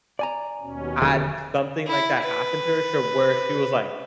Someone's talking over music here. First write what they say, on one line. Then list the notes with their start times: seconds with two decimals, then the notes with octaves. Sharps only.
had something like that happen to her, she'll where she was like
0.19 D5 G#5 A#5
0.60 D#2 B2 C#4
1.02 E1 D3 F3 G#4
1.87 E4
2.23 B4